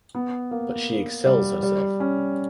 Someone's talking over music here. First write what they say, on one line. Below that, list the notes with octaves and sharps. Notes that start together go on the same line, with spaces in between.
But she excels herself.
B3
A#3
G3
G3
C#4